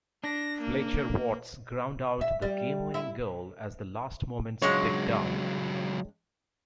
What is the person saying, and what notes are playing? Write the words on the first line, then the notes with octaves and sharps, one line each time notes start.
Fletcher Watts ground out the game-winning goal as the last moments ticked down.
D4 A#6
A#3
E5
G3
E4
C#2 G2 F#3 G#3 C#5